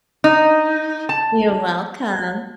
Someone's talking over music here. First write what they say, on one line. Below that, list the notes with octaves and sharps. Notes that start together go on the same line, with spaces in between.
You're welcome!
D#4
A5